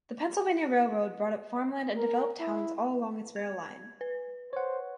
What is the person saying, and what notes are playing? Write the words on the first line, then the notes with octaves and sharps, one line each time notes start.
The Pennsylvania Railroad bought up farmland and developed towns all along its rail line.
A#4
E4
G#6
B4
C5 C#5 F#5